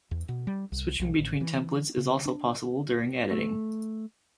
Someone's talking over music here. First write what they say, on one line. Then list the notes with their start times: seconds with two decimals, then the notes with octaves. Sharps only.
Switching between templates is also possible during editing.
0.11 E2
0.29 B2
0.47 G3
0.72 C2
1.00 B1
1.19 A1
1.41 E3
1.97 C#3
2.25 D4
3.31 A3